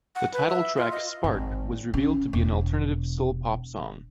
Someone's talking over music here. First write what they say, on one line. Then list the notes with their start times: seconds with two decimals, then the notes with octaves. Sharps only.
The title track "Spark" was revealed to be an alternative soul pop song.
0.15 F#5
0.33 B4
0.49 E5
0.77 F4
0.92 D#5
1.24 G#1
1.94 C#3
2.33 E1